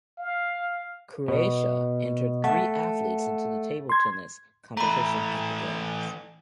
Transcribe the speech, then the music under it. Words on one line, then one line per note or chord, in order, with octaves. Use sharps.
Croatia entered three athletes into the table tennis competition at the games.
F5
B2
A3 F#5
C6 G#6
E3 A3 A#5 B5